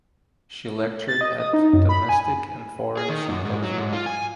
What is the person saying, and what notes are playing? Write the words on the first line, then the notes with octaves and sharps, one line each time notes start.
She lectured at domestic and foreign symposia.
A6
D#5
D#6
D#4
F#2
B5
G#5
G#4
D#3
F#2
G#2
F#3
G#2
F4
G#5